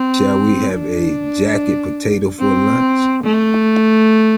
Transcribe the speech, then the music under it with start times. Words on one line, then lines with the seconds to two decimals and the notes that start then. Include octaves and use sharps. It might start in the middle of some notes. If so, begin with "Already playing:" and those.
Shall we have a jacket potato for lunch?
Already playing: C4
0.73 D4
2.40 C4
3.24 A3